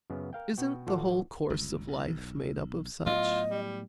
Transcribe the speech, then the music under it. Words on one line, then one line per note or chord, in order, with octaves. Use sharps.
Isn't the whole course of life made up of such?
F#2 C#3 B3
A#4 F5 G5
B2 F#4 G5
A1 F4 F#4 A4 D5 F#5
G1 C#2
B1
A2 F#3 B3 F4 D#5
G3